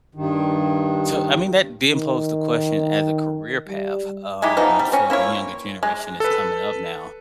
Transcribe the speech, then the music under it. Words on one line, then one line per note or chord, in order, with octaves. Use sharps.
So, I mean that then pose the question as a career path, um, for the younger generation that's coming up now,
G2 D#3
D#3
G3
G#3 D#4 E4 G4
E3 F3 B3 D#4
G3
C4 C#4
A#3 E4 F4 C#5
G#3
A4 B4